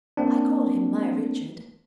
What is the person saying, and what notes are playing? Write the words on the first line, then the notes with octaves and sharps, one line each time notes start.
I call him my Richard!
A#3 C4 D4